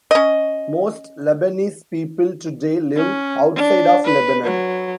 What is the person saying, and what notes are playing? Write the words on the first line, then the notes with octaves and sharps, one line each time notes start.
Most Lebanese people today live outside of Lebanon.
C#4 D#5
C#4
D4
B4
F#3